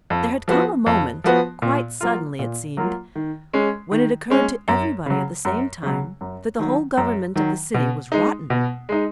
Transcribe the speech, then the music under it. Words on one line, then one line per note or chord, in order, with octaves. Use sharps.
There had come a moment--quite suddenly it seemed--when it occurred to everybody at the same time that the whole government of the city was rotten.
F2
F3 B3 F#4
F2
F3 B3 F#4
A#2
F#3 A#3 F4
A#2
F#3 A#3 F4
D#3
G#3 C#4
D#3
G#3 C#4
F#2
C#3 F#3
F#2
C#3 F#3
F#2
D#3 F#3
F#2
D#3 F#3
B2
G#3 D#4
B2
G#3 D#4